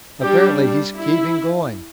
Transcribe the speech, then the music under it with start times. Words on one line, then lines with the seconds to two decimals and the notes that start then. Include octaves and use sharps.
Apparently he's keeping going.
0.22 G3 D4 G4
0.95 E4